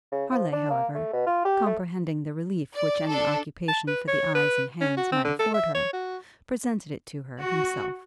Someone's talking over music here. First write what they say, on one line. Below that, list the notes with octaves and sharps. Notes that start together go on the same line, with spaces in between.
Harleigh, however, comprehending the relief which any occupation for the eyes and hands might afford her, presented it to her himself.
C#3
F3
D4
A#3
A3
B2
F4
G4
A3
D5
D4 A4
A5
B4
C#5
B4
C#4
F#4
C4
D3
A4
E5
C#5
F#4
F#4